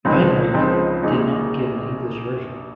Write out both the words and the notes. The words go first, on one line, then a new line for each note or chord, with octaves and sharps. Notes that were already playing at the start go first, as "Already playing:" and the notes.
Weinreich did not give an English version.
C#2 C#3 F3 C4 D#4
C#2 C#3 F3 C4 D#4
A#1 A#2 G#3 D#4